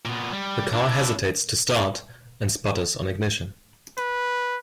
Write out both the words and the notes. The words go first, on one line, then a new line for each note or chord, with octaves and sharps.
The car hesitates to start and sputters on ignition.
A#2 B3
G3
D4 E4
B4